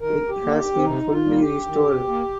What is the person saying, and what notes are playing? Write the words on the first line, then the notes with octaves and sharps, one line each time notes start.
It has been fully restored.
D#3 A#4
G4
A#3
G4
C4
C3 D#4
F4
G3 A#3
G4
D#3
A#3